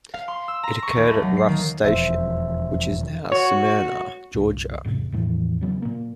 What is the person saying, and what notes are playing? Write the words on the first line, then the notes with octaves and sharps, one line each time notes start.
It occurred at Ruff's Station, which is now Smyrna, Georgia.
F5
C6
E6
A#5
C#6
D#2
A3
F#3
C7
D#3
E1 F2 C5 E5
F#4 C#5
C2 G2 A#2
E1 G#2 C3
E2 A2 E3 F3
C#3 F#3 B3
A#2 A#3